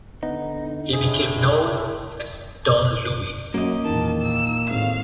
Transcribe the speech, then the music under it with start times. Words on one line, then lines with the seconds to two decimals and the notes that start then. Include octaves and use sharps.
He became known as Don Luis.
0.23 D3 B3 D#4
0.93 A2 G#3 G#4 D#6
3.54 F#2 A#3 D#5
3.85 E2 A#2 D#3 A5
4.22 A#2 E6
4.70 G#1 A2 F5